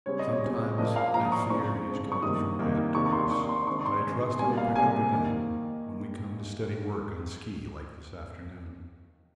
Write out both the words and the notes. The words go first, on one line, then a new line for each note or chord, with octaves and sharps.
Sometimes I fear he is going from bad to worse, but I trust he will pick up again when we come to steady work on ski like this afternoon.
C#3 G3 C4 C#5
D#5
C#5
C#3 G3 C4
A#2 F3 A#3 D#5
F5
A#2 F3 A#3 A#5
D#6
C#6
C#3 F3 C4 C#6
C#3 F3 C4
C#6
C3 D#3 G3 A#3 D#6
C3 D#3 G3 A#3
C3 D#3 A#3 C#6
C#6
C6
C3 D#3 A#3 C#6
C6
D#3 G#3 C4 C#6
C#6
C6
D#3 G#3 C4
C3 G3 A#3 G#5
F5
C3 G3 A#3 G#5
D#3 A#3